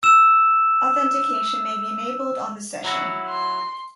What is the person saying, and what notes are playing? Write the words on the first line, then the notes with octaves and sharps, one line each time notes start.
Authentication may be enabled on the session.
E6 E7
F#3 E4 F#4
C6